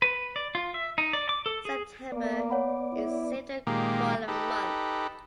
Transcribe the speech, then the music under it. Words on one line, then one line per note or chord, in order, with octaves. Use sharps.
September is Save the Koala Month.
B4
D5
F4
E5
D#4
D5
D6
A4
G#4
A#3 B3 D5
C#5 F#5 B5
E4
A#2 D#3 G#3 A#3 G4
D#4 G4 A4 B4